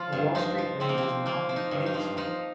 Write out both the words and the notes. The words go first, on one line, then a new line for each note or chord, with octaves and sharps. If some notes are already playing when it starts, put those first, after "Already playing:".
A Wall Street raid is not a fang slash.
Already playing: F3 F4
G2
F3 D#4
F3
F3 C4
A#3
C4
F3
F3 A#3
F3
D#4
G2
D#4
F3
F3 D#4